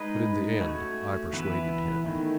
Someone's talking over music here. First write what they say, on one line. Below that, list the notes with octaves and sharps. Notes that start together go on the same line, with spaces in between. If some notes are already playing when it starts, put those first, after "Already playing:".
But in the end I persuaded him.
Already playing: G#3 D#4 G#4 B4
A3 C#4 F#4 C#5
E3 B3 E4 B4
D#3 A3 C#4